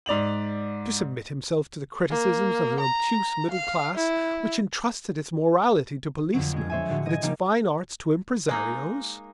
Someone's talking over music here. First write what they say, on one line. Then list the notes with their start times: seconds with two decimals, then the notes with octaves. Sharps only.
To submit himself to the criticisms of an obtuse middle class which entrusted its morality to policemen and its fine arts to impresarios?
0.06 G#2 D5 F7 F#7
2.10 A#3
2.80 A#5
3.51 F5
3.96 E4
6.34 F2 D3 F#3
6.52 G#3 G#4
6.70 C5 C#5 E5 G#5
6.89 A2 D3 F#4
7.06 D#5 G#5
7.22 C#3 F3 G3 A#3 D#4 G4
8.49 G#3 A#3 D#4